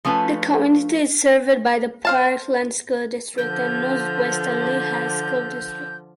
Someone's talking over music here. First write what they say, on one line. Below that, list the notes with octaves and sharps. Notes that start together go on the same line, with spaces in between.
The community is served by the Parkland School District and Northwestern Lehigh School District.
F3 A3 C#4 F4 B4
C5 F5 A5
D3 F3 G6